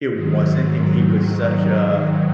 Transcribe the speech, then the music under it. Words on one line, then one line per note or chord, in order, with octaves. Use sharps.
it wasn't, and he was such a
G#2 D#3 F#3